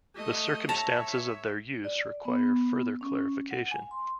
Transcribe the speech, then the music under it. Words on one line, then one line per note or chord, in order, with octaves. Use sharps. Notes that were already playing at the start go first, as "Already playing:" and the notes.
The circumstances of their use require further clarification.
A3 D#5
C#5 E5 A5 A#5
D5
B3
C#4
F#5
G#5
C6